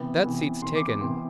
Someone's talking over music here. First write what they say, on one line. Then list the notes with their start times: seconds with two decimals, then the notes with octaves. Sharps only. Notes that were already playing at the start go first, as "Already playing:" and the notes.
That seat's taken.
Already playing: C3 E3 B3
0.23 C3 E3 B3
0.62 C3 E3 B3 C6
0.76 D6
0.88 D6
1.01 C3 E3 B3 C6